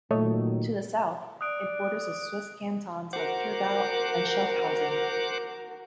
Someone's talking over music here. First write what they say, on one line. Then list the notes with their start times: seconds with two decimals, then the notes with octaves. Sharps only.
To the south it borders the Swiss cantons Thurgau and Schaffhausen.
0.11 A#2 D#3 F#3 A3 C#5 D#5
1.41 D5 D#6 F#6 D7
3.13 F#4 A#4 C5 F#5 D6